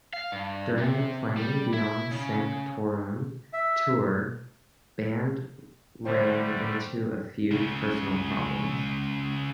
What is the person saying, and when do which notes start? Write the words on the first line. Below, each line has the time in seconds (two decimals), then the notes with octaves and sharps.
During the playing "Beyond Sanctorum" tour, band ran into a few personnel problems.
0.13 F5
0.32 G2
0.78 C3
1.37 G3
1.74 E4
2.11 C#3
3.53 E5
6.05 D2 D3 G3 A3 C5 G5
7.51 C#2 C#3